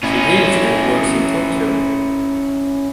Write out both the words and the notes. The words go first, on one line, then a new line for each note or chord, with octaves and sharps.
He lives and works in Tokyo.
C#4 E4